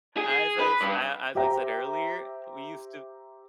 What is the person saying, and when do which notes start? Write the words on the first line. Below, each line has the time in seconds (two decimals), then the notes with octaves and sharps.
As I s a as I said earlier, we used to
0.17 G#4
0.59 B4
0.81 G2
1.35 G4 C5 E5 G5 A#5